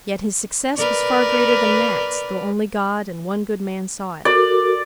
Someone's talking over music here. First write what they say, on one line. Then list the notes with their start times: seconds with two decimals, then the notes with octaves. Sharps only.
Yet his success was far greater than Nat's, though only God and one good man saw it.
0.76 A#4 B4 D5
4.25 F#4 A4 A#4 D5